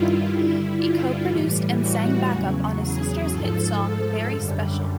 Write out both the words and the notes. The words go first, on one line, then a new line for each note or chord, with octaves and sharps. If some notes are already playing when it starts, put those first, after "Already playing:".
He co-produced and sang backup on his sister's hit song, Very Special.
Already playing: G2 D#3 G3 E4 F4
G2 D3 G3 E4
F4
A2 E3 G3
F#4
E2 C#3 F#3
G#4
G#2 F3 A4
F#2 D3 G3